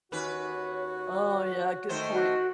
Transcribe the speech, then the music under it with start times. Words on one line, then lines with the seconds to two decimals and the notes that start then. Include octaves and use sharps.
Oh, yeah. Good point.
0.12 D#2 C#4 F#4 B4 C#5
1.89 D#3 A3 C5
2.13 F#4